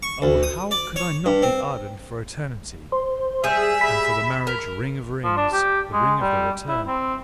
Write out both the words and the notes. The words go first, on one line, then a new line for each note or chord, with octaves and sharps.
Oh, how could I not be ardent for Eternity, and for the marriage-ring of rings--the ring of the return?
C#6
D2
D#6
D5
C#5
G2
C4
C5
G3 G#4 E5
B5
A#4
F3
D4
G4
G#3
G3
E4
C4